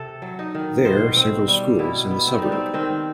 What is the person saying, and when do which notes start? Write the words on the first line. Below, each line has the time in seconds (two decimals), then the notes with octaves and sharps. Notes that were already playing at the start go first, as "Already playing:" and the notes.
There several schools in the suburb.
Already playing: C3 A4
0.22 F#3
0.39 D#4
0.55 D#3
0.85 B2 C5
1.16 C4
1.48 G3
1.79 B2 E4
2.11 B3
2.27 C4
2.38 G3 D#4
2.52 C4
2.74 D#3 C4